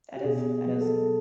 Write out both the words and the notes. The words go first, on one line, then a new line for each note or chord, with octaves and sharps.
That is that is
G4
B2 G#4
F#3
A4